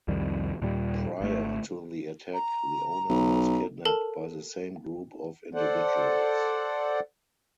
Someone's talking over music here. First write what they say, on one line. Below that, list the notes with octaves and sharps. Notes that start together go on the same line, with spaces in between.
Prior to the attack the owner was kidnapped by the same group of individuals.
C2 F2 D#3 G3
D#2 A#2 G3
G#1 A3
A#5
B1
A4 A#4 A5
A4 C5 D5 F#5